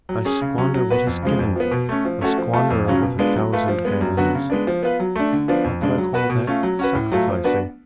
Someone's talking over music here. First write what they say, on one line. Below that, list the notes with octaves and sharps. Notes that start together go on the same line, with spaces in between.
I squander what is given me, a squanderer with a thousand hands: how could I call that--sacrificing?
F#3
C#4 G#4
C#3
F#3 C#4
F#3
B3 F#4 B4
F2
C#3 F3 G#3
F2
F3 B3
B2
A3 C#4
F3
A3 C#4 F#4 A4
F3
A3 F4 A4
F2
C#3 F#3 C#4 F4
B2
G#3 B3 D4 F4
F#3
A3 F4 B4
F3
G#3 B3
F#2
D3 F#3 B3 F#4
C#3
G#3 B3 D4
F3
B3 F4 B4
F#3
A3 D4
D3
F3 B3 D4 F4
F2
C#3 G#3 D4
F#3
B3 F#4 B4
B2
A3 C#4 F4
F#3
C#4 F#4 B4
A2
F#3 A3 F4
F3
B3 D4 F#4 B4